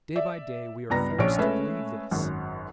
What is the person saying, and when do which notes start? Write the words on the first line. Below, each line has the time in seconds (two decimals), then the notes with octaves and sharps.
Day by day we are forced to believe this.
0.16 D5 E5
0.90 C#2 G2 B3 A#5 A#6
1.18 A#1 C#4 D4 C#5 D7
1.38 G#3 A3 C#4 B4 C#5 E5
2.11 G#1 F#2